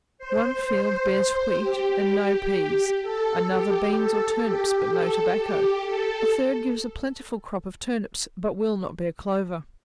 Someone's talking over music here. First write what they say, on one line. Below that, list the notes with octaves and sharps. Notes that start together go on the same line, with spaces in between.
One field bears wheat, and no peas; another beans or turnips, but no tobacco; a third gives a plentiful crop of turnips, but will not bear clover.
C5
C5
C5
G4
A4
G4
A4
G4
A4
G4
A4